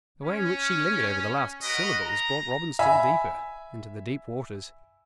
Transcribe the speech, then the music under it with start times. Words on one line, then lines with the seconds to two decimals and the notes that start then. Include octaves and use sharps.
The way in which she lingered over the last syllables brought Robin still deeper into the deep waters.
0.22 C#4
1.62 F#4 A#4 B4 D#5
2.03 A#5
2.79 E5 G#5 B5